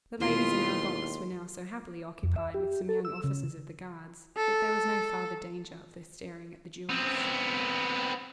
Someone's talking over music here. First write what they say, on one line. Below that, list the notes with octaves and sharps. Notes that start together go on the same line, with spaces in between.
The ladies in our box were now so happily occupied with some young officers of the guards, that there was no farther danger of their staring at the Jewess.
D#2 B2 E3 G#3 F4 B4 C6
F2
E5
G4
A4
E6
C#3
A4
B3 C4